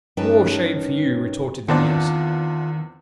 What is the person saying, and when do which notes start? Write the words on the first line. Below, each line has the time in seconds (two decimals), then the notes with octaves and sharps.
'More shame for you,' retorted the nurse.
0.17 G2 C#4 D#4 A#4 B4 A5
1.68 E2 D#3 B3 C4 D4 F4 F#5 A5